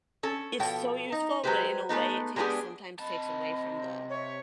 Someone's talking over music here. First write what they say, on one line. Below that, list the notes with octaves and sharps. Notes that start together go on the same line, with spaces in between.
It's so useful, but in a way, it takes sometimes takes away from the
C#4 A4
B2 F3 A4 C#5 G5
D#4
F#3 G#3 B3 G4 B4 C5
G#3 A3 B3 D#4
G#3 A#3 B3 D4 G4 G#4
C3 D#5 A5 B5
C#5 E5